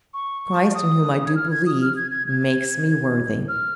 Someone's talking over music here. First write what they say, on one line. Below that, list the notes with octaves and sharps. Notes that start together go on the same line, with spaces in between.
Christ, in whom I do believe, makes me worthy.
C#6
D#6
G#6
F6
G#6
D#6
F6
G#6
G#6
G#6
F6